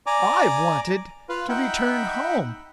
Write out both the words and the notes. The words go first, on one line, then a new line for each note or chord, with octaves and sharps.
I wanted to return home.
D5 G#5 A#5 D6
F4 B4 F5
D#4 E5 F#5 G5 B5